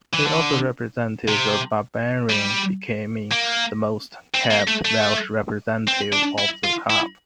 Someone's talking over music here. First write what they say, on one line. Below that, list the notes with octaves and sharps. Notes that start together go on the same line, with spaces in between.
He also represented the Barbarians becoming the most capped Welsh representative of the club.
E3
D3
C3
G3
A#3
C4
A#3
A3
A3
C4
D4
E4
F4
E4